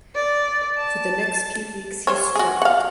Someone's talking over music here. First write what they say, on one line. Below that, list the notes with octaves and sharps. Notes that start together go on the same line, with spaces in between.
For the next few weeks he struggled.
D5
A5
G3 C5 C#5
F#4 G#4
F5 F#5